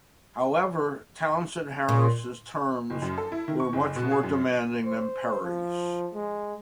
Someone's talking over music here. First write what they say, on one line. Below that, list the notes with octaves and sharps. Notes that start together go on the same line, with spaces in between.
However, Townsend Harris' terms were much more demanding than Perry's.
A#2
F#1
F#2
A4
E4
D#3
C#6
F#1
B2
G#4
F#2
C5
F3
G#3